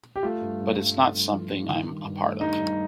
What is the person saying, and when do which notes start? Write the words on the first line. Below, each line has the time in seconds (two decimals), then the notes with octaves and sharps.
But it's not something I'm a part of.
0.16 G4
0.23 A3 F4
0.41 G2
0.60 G2
0.78 G2
0.96 A3
1.14 G2
1.33 F3
1.51 G2
1.69 D#3
1.88 G2
2.05 G2
2.24 A3
2.41 G2 D#4
2.59 G2